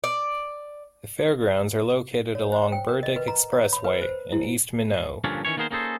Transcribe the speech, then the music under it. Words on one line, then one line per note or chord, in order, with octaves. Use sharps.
The fairgrounds are located along Burdick Expressway in east Minot.
D5
C#5
C5
G5
A#4
D#5
B4
A#5
C#5
B5
B4
C5
E4
G2 A#2 D3 F3 C#4 D4
D#3 E3 C#4 C#5
D#3 A#3 B3 G#4 A#4 C5
A#3 C#4 D#4 G#4 A4 C5